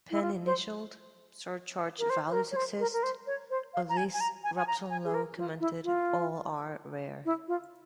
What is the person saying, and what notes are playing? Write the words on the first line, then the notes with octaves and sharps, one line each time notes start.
Pen initialed, surcharged values exist; of these Robson Lowe commented, All are rare.
E4
F4
C5
A#4
C5
C5
A#4
C#5
C5
A#4
A#4
C5
C#5
C5
F5
A#5
G#5
G#5
A#5
G#5
G#5
A#5
G#5
G#4
A#4
F4
E4
F4
E4
F4